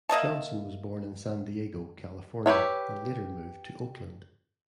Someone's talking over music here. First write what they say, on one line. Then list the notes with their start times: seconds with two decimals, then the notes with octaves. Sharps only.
Johnson was born in San Diego, California and later moved to Oakland.
0.09 A#3 D#5 E5 A5
2.46 G4 B4 C#5 E5